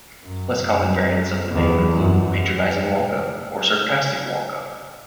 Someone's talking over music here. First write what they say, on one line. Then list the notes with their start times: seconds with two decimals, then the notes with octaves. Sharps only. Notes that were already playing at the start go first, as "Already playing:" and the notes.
Less common variants of the name include Patronizing Wonka or Sarcastic Wonka.
0.24 F#2
0.67 F#2
1.52 E2
1.95 F#2